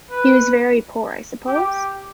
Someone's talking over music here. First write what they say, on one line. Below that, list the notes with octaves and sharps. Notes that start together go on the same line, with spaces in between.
He was very poor, I suppose?
B4
G4